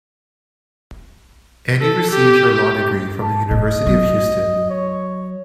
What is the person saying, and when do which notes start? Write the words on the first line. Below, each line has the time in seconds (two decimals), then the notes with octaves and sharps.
Annie received her law degree from the University of Houston.
1.81 A4
2.11 G4
2.53 G4
3.22 A5
3.51 A2 D#5
3.87 F#3
4.70 C#5